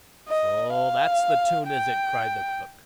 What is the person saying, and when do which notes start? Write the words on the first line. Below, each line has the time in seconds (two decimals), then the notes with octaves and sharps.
"So that's the toon, is it?" cried the cook.
0.28 D#5
0.74 F5
1.68 G5